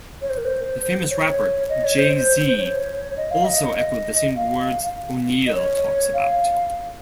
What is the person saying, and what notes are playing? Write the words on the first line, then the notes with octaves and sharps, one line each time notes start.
The famous rapper, Jay Z also echoed the same words O'Neal talks about.
C#5
C5
A#4
C5
C#5
D#5
C#5
C5
C5
C#5
D#5
F5
D#5
D#5
F5
D#5
C#5
F5